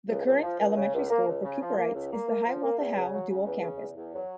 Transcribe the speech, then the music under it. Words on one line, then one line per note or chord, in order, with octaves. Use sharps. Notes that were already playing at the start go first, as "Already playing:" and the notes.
The current elementary school for Cooperites is the Hiawatha-Howe dual campus.
C#2
C#2
F3
C#2
C#3
C#2
A#3
C#2
C#3
F3
A#3
C#2
A#3
A#3
F3
A#3
E2
C#3
F#3
C#3
E2
C#3
E2
E2
F#3